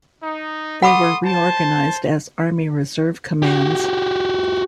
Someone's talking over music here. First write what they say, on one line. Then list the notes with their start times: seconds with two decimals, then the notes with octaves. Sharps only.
They were reorganized as Army Reserve Commands.
0.23 D#4
0.82 A4 F#5 B5 C6 D6 D#6
1.24 C5 A5
3.42 F#4 G4